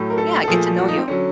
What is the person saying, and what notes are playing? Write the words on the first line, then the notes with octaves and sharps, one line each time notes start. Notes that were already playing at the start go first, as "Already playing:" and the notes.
yeah get to know you.
Already playing: A2 F#3 A3
A#4
A4
A4
A#2 F3 A3 G#4
F#4
D#4
C4
D3 F#3 C#4